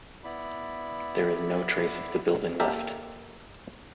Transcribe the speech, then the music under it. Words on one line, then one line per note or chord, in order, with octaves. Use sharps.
There is no trace of the building left.
B3 E4 D5 B5
A#3 G4 A4 A#4 E5